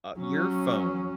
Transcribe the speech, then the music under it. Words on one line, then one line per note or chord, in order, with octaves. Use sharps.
uh, your phone
F#3 C#4